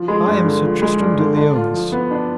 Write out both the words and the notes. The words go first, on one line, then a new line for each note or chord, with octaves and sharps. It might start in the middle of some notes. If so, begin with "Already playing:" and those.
I am Sir Tristram de Liones.
Already playing: F3
G#3
G2
D3
F3
G#3
G2
D3
D4
F4
F3
B3
D4